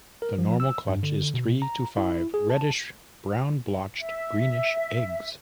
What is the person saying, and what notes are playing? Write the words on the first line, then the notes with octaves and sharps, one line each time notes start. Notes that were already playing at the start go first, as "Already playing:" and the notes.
The normal clutch is three to five reddish brown-blotched greenish eggs.
A#4
F3
E6
G2
D3
B2
A#5
E4
G#4
A5
E5